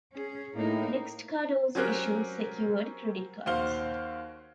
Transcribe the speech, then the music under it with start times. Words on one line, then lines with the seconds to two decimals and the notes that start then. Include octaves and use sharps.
NextCard also issued secured credit cards.
0.13 C#4 G#4
0.54 A2 A#3 D#4
1.75 F#3 C4 C#4 G4 A#4 F#6
3.46 D#2 F#4 C5 F5 G7